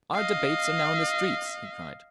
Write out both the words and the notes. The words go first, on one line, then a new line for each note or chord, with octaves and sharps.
"Our debates are now in the streets," he cried.
D#5 F5